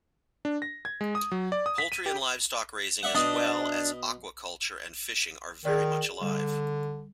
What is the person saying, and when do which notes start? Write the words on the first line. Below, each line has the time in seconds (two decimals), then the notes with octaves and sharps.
Poultry and livestock raising as well as aquaculture and fishing are very much alive.
0.45 D4
0.62 A#6
0.85 G#6
1.01 G#3
1.15 D#6
1.32 F#3
1.52 D5
1.66 D#6
1.78 B6
1.92 D#7
2.06 G4
3.03 D5 E5 F#5
3.15 B2 D4 D#5 A5
5.65 D#3 G#4 D5
6.21 D3 G3